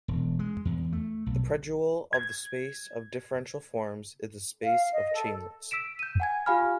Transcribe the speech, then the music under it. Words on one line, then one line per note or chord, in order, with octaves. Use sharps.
The predual of the space of differential forms is the space of chainlets.
E1
G#3
E2
A3
B1
G#6
F5
D#5
A4
E6 B6 D7 E7
G6 D#7
F#5 G#5 G#6
F4 G4 F5 G#5 B5 F6